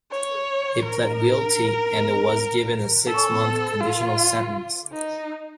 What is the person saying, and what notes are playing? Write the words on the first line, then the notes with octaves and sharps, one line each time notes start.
He pled guilty and was given a six-month conditional sentence.
C#5
A#4
A4
F4
D#4